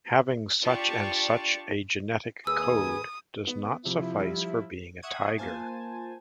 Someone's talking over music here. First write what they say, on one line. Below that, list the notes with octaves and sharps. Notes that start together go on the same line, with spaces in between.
Having such and such a genetic code does not suffice for being a tiger.
D4 F4 G4 D5 A5 C#6
D#2 G#4 B4 G#5 D#6 E6
B3
C3 F3 E4
G3
E5 F#5 C#6 D#6 G#6
A#3 F4 C5 G#5 A5